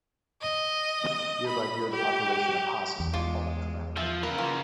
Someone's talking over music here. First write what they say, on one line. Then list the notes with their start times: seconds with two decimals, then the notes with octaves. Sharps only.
Year-by-year the population of Has has been falling dramatically.
0.42 D#5
1.47 B5
1.92 G4
3.00 E2
3.14 G#3 F4 D5
3.97 F3 E5 G#5
4.23 C#3 A#4 B4 F5
4.38 E3 F4